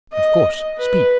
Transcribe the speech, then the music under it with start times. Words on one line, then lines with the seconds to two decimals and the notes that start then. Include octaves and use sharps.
"Of course, speak."
0.13 D#5
0.78 B4